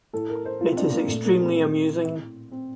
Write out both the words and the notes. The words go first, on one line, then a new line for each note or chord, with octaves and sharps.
It is extremely amusing.
A2 A4
A#4
C5
F4
C4
D4
A#3
A#2 A3
A#3
C4
A2
C4